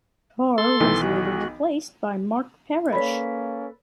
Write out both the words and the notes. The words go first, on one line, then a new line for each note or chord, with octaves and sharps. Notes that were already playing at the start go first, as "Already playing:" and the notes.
Carr was later replaced by Mark Parrish.
A4 C6
B1 D#3 E3
F#4
A#3 C#4 A4 B4 C#5 D5 B5